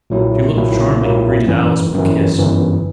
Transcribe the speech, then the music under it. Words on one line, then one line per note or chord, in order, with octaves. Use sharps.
She looked charming, and greeted Alice with a kiss.
B1 A#2 F#3 A#3 E4
B1 A#2 F#3 A#3 E4
B1 A#2 F#3 A#3 E4
G1 F#2 E3
G1 F#2 E3
G1 F#2 E3